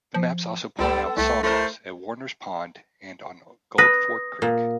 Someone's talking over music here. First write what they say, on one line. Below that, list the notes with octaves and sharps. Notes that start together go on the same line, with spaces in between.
The maps also point out sawmills at Warner's Pond and on Gold Fork Creek.
F3
C#2 G3 B3 A4
C2 A3
A3 E4 A#4 C5
B4 D#6 A#6
A#2